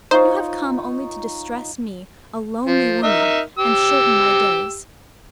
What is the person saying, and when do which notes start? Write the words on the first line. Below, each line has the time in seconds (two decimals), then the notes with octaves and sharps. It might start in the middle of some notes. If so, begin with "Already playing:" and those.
You have come only to distress me, a lonely woman, and shorten my days!
0.11 D#4 F4 C5 C#5
2.66 F3
3.03 D#4 A#4 E5
3.58 G4 E6